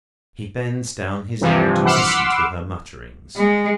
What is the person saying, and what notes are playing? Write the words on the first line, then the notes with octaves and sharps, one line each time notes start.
He bends down his ear, to listen to her mutterings.
G2 C3 E3 F3
F#5 B5 C6 D6 E6 F6
G#3